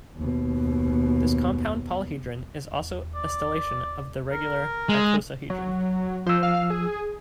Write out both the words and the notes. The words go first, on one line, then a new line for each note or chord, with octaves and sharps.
This compound polyhedron is also a stellation of the regular icosahedron.
D#2 B2
D5
A#4
G#3
F#3
F3 C5 E6
F5
G#4